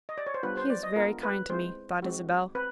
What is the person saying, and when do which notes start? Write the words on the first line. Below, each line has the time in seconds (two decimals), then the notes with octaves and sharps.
"He is very kind to me," thought Isabel.
0.09 D#5
0.18 D5
0.27 C#5
0.34 C5
0.43 G3 B3 D4 F4 B4
0.57 C5
0.70 D5
0.83 D#5
0.96 G#3 B3 D4 F4 A#4
1.23 B4
1.49 G#3 C4 E4 C5
2.02 G#3 C4 D#4 F#4
2.55 C4 B4